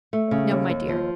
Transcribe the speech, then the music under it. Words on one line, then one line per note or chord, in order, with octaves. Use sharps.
"No, my dear."
A3
C#3
D#2
D#2
F3